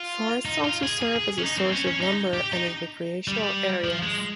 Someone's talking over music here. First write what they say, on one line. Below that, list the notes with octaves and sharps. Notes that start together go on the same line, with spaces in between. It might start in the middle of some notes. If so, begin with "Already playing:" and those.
Forests also serve as a source of lumber and as recreational areas.
Already playing: F4
D#4
F4
G#4
G#4
G#4
C#4
D#4
C4
C#4
C#4
D#4
G4
D#4
G3
F3
G#3